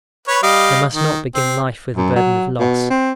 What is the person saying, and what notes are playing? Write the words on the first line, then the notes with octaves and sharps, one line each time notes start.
They must not begin life with a burden of loss.
B4 C#5
G3 D#5 F5
D#3
C4
F#2
F#3
B2
C4